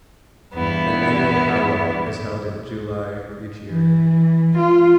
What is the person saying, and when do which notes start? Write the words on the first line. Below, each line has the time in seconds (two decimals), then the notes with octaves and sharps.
An annual pow-wow is held in July each year.
0.54 E2 G2 B3 E4
3.67 E3
4.57 F4